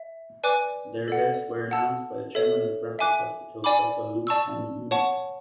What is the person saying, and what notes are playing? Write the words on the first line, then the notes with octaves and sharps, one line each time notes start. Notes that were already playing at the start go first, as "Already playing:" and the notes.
Their deaths were announced by the chairman of Raffles Hospital, Doctor Loo Choon Yong.
Already playing: E5
B4 D5 G#5 D6 F#6
A4 D5 F#5
F#5 A5 E6
A4 C#5 E5
E5 G#5 D6 F#6
D5 G#5 B5 D6
D5 A5 C#6 E6
C#5 F#5 A5 C#6